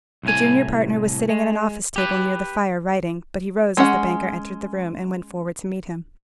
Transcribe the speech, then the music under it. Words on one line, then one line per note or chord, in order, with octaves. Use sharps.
The junior partner was sitting at an office table near the fire writing, but he rose as the banker entered the room, and went forward to meet him.
C2 A2 G#5
G#3
G4 B4
G#3 C#4 F#5